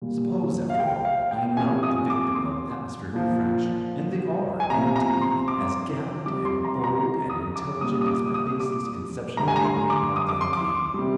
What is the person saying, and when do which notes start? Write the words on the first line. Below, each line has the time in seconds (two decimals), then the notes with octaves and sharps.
Suppose, after all, I am not the victim of atmospheric refraction, and they are, indeed, as gallant and bold and intelligent as my baseless conception of them would have them be!
0.02 A#2 G3
0.70 F5
0.80 G5
1.05 F5
1.31 G5
1.57 C3 F3 G#5
1.83 D#6
2.10 D6
2.35 C6
3.13 A#2 F3
4.60 G#5
4.70 C3 F3 A#5
4.96 A#5
5.22 C6
5.48 D6
6.26 C3 G3 D6
6.45 C6
6.65 A#5
6.84 A#5
7.30 D#6
7.56 D6
7.81 A#2 G3 D#6
8.01 D#6
8.07 D6
8.34 D#6
8.60 D6
9.37 D3 G3 A#5
9.48 G#5
9.56 A#5
9.65 C6
9.90 D6
10.16 D#6
10.29 D6
10.41 C6
10.53 D6
10.94 C3 G3